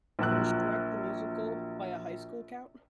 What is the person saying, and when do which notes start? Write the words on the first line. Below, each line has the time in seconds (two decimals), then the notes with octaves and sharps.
Was Shrek the musical, by a high school, count?
0.19 A#1 F#3 E6 F#6